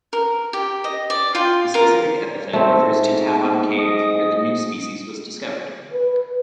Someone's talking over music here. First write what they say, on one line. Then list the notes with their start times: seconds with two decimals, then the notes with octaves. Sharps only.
The specific epithet refers to Tabon Cave where the new species was discovered.
0.13 A#4
0.53 G4
0.84 D#5
1.10 D5
1.35 F4 G5 C6
1.74 F4 A#4
2.53 G#2 A3 C4
3.79 D#5
5.92 B4